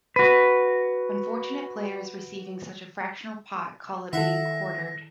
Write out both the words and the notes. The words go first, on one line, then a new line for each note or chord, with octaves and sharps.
Unfortunate players receiving such a fractional pot call it being "quartered".
F#4 B4
D#3 E4 A4 E5 F#5 A#6